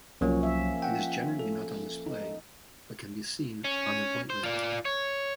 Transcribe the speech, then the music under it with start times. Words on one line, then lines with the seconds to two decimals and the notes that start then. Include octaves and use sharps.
It is generally not on display, but can be seen on appointment.
0.21 C2 F3 F#3 A#3 C#4
0.43 E5
0.82 F#5 G5
1.39 A4
2.06 D#4
3.64 C#4
4.30 C5
4.43 F4 D5
4.85 C#5